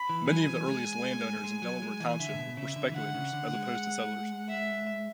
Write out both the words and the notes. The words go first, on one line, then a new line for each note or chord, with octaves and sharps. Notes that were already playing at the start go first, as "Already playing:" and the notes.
Many of the earliest landowners in Delaware Township were speculators as opposed to settlers.
Already playing: B5
E3
F#3 G#5
F#3
E3
G#3
A3
G#3
F#3
G#3
E3
D3 E5
A2
B2
C#3 E5
D3
E3
D3 F#5
C#3
D3
G#3
E5